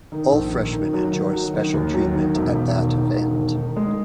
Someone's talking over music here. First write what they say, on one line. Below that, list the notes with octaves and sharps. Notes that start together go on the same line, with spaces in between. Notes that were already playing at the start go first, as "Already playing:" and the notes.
All freshmen enjoy special treatment at that event.
D#3
A#1
D#3
D#3
F#3
D#3
F#3
D#3
D#2
F#3
D#3
E1
E1
D#3
D#3
E1
D#3
D#3
G#3